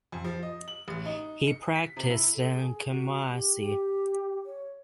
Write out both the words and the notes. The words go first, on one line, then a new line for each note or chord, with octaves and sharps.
He practised in Kumasi.
F2
F3
D#5
F#7
A1
D#4
C#7
B6
C3
E4
A4
G#4
F#4
G4
G4
C#5